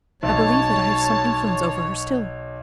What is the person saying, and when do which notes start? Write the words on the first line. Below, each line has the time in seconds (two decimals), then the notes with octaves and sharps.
I believe that I have some influence over her still.
0.23 B1 C#5 A5